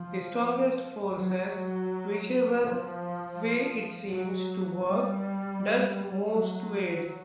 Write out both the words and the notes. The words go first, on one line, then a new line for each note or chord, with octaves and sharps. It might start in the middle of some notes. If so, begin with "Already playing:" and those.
The strongest forces, whichever way it seems to work, does most to aid.
Already playing: F3
F#3
F3
F#3
G3
F#3